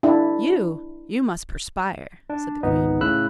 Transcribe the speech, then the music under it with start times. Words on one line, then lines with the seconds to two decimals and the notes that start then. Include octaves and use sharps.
"You! you must perspire," said the Queen.
0.03 D4 E4
2.30 D4
2.63 G#1 C#2 B3 D#4
3.01 A2 C#3 B5 E6 F#6